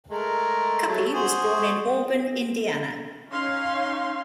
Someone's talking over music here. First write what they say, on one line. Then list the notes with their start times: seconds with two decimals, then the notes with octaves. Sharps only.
Cuppy was born in Auburn, Indiana.
0.10 G#3 A3 A#4
0.88 F#3 A3
1.13 F#4 G#4 C5
3.31 C#4 D#4 C#5 F5 C6